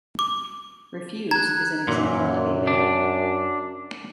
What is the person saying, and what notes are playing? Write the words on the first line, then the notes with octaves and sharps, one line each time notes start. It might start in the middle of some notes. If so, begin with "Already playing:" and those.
Refuse is an example of a bad.
D6
A#5 F#6 G#6
F#2 A#2 E3
D4